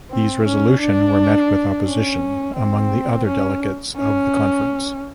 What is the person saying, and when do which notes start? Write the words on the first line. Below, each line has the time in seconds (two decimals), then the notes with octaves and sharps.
These resolution were met with opposition among the other delegates of the conference.
0.11 C4
0.46 C#4
0.81 D4
1.86 C#4
2.57 C4
3.26 C#4
3.97 C#4